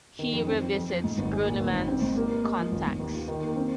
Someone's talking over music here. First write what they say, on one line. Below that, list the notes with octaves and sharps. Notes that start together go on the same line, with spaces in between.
He revisits Gruneman's contacts.
D#3
F2
C4
F3
F2
F3
G#2
G#1
G#4
A#2
G#1
G#1
C4
G#2
A#3
A#3
G#3
F3
G#1
G#1
D#2
F4
D#3
A#3
C4